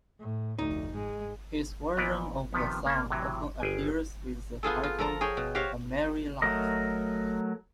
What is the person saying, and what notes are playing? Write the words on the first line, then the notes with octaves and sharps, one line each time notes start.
His version of the song often appears with the title "A Merry Life".
A2
F1 D2 D#4
G#2 G#3
A#2 E3 B3 D5 D#5 A#5
C3 D#3 F3 B3
A#3 C#4 A5
A2 C3 E3 F#3
G1 G#4 G5 G#5
B3 F4 G#4 A4
F4
F3 A4 A#4 A#5
G#4 C#5 G5
B2
F#4 G4 C5 C#5 F5
F#3 A3 A#4 D#5